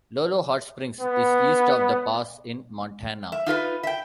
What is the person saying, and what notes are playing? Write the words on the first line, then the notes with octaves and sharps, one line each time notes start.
Lolo Hot Springs is east of the pass in Montana.
B3
E5
D#4 F4 A#4 B4
E5 G5